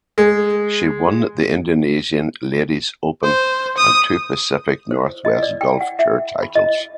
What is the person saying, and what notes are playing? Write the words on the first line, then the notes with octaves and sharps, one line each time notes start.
She won the Indonesian Ladies Open and two Pacific Northwest Golf Tour titles.
G#3
C5
D#6
C5
D#5
D5
G5
F#5
E5
B5
D#5